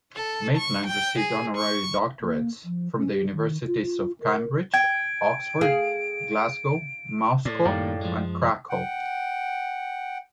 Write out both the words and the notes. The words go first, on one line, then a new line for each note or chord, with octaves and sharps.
Maitland received honorary doctorates from the universities of Cambridge, Oxford, Glasgow, Moscow and Cracow.
A4
C#6
G5
G#4
C#6
A#3
F3
C#4
G4
D#3
F4
F4
A#4
G5 G#6 D7
G#4 F5
A2 D5
F#2 D#3 G3 A#3 D5 F5 G5
F3 G#3
F#5 G5